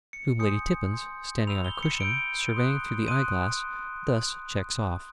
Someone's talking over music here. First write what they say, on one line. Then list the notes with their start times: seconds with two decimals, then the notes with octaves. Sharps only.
Whom Lady Tippins, standing on a cushion, surveying through the eye-glass, thus checks off.
0.13 C#7
0.39 G#5 C6 D#6 G6 C#7
0.93 G#5 C6 D#6 G6
1.47 B5 E6 G6 F7
1.65 G7
1.83 C#7
2.00 B5 E6 G6 D7
2.54 C6 D#6 F#6
3.08 C6 D#6 F#6 D#7